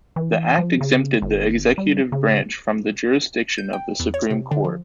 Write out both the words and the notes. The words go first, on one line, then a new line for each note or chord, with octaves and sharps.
The Act exempted the Executive Branch from the jurisdiction of the Supreme Court.
E3
F3
C#3
G1
G3
C#3
G6
G5
E2
C#5
C3
D3
F3